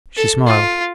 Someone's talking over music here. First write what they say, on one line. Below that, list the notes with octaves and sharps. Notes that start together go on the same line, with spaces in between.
She smiled.
A4
F4